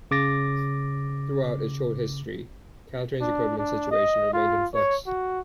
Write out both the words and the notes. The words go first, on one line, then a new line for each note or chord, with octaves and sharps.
Throughout its short history CalTrain's equipment situation remained in flux.
C#3 D6 A6 A#6
D4
D4
D#5
F4
C#5
F#4